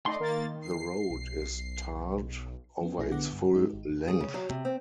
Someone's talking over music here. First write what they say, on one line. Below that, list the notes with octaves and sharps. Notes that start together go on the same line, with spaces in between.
The road is tarred over its full length.
A3 D#4 D5 D#5 C6
D#3 A#3 A6
C7
B1
F3 B3 C#4
B1 A#2 A3 E4 G#4 A#6
D3 B3 F#5 D6
G2
G#3 D#4
G#1
G#4
C#3
F#3
C3
C4